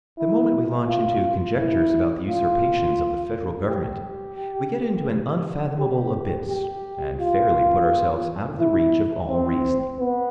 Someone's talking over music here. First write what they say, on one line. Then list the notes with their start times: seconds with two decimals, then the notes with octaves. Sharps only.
The moment we launch into conjectures about the usurpations of the federal government, we get into an unfathomable abyss, and fairly put ourselves out of the reach of all reasoning.
0.18 E4
0.88 F4
1.58 E4
2.29 F4
3.69 G4
5.80 G4
6.49 G4
7.19 F4
8.59 E4
9.29 C4
10.00 B3